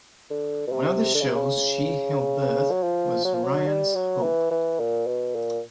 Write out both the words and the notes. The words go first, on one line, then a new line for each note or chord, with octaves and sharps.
One of the shows she helped birth was "Ryan's Hope".
D3
B2
C3
D3
C#3
C3
C#3
F#3
F3
F#3
F3
F#3
G3
F#3
E3
E3
A#2
B2
A#2